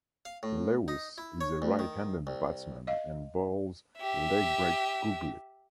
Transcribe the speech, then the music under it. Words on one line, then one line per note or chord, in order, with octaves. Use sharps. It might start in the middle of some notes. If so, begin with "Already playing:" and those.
Lewis is a right-handed batsman and bowls a legbreak googly.
F5
A2
D#4
E4
C#5
D2
D#3
C2
D#5 F5
G4 E5